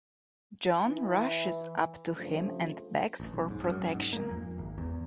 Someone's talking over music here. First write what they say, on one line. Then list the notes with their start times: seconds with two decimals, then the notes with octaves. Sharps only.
John rushes up to him and begs for protection.
0.87 E3 E4
2.16 G2 C#3 F3 A3
3.20 A1
3.32 B1
3.50 G#2
3.64 F#2
3.95 G#2
4.13 A#3
4.31 F2
4.58 G#1
4.78 E2